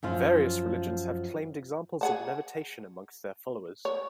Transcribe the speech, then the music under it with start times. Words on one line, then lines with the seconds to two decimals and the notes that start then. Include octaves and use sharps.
Various religions have claimed examples of levitation amongst their followers.
0.03 F#2 F3 F4
2.01 G#4 F#5 A5
3.85 C#5